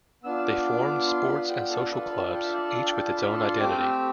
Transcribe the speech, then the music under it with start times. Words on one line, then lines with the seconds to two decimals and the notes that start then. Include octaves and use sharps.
They formed sports and social clubs each with its own identity.
0.24 B3 D4 F4 E6
0.44 D6
1.07 C6
1.28 B5
1.49 G5
1.70 A4
1.91 D4 F4 A4 B4
2.12 B4
2.33 G5
2.38 F5
2.43 E5
2.54 D5
2.64 D5
2.74 F5
2.85 G5
2.96 G5
3.06 A5
3.17 B5
3.38 C6
3.59 A3 C4 G4 D6
3.71 F6
3.79 E6